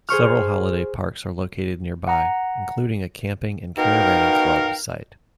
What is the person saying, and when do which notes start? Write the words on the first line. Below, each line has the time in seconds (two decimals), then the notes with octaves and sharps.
Several holiday parks are located nearby including a Camping and Caravanning Club site.
0.09 G#4 C5 C#6 F6
2.07 F#5 A#5
3.77 B2 D#4 A#4 F5 G5